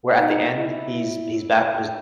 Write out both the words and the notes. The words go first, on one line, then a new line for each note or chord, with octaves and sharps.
where at the end, he's he's back with his
D#4
E4